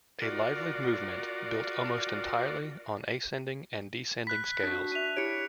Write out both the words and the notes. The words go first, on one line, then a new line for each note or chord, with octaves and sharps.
A lively movement built almost entirely on ascending and descending scales.
F4 F#4 A#4 D5
B5 F#6 B6
D4 F#4
D4 E5 D#7 F7
E4 G4 C#5 C#7 D7